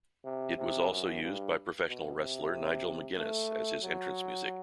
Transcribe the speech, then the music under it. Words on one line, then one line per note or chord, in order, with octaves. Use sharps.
It was also used by professional wrestler Nigel McGuinness as his entrance music.
C3
C3
F#2
G2
B2
C3
A3
F#3